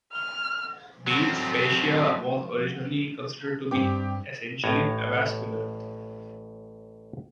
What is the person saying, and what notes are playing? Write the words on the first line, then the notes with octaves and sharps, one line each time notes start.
Deep fascia was originally considered to be essentially avascular.
F6
F#3 C4
G2 C4 G4 G5 D6
A1 A2 C#5 A5 A#5